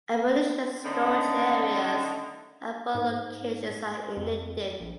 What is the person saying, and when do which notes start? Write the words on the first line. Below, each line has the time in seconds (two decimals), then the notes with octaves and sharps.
Ammunition storage areas at both locations are ignited.
0.84 D3 D#3 A3 C#4 D4
2.95 G#2
4.17 F2
4.80 A#1